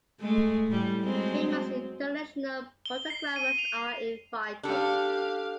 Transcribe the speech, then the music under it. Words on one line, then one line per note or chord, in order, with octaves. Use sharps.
Famous international photographers are invited.
G#3 A3
A2 G3
F#3 G#3 C4
G7
C7
D#7
F7
D4 G4 A4 F5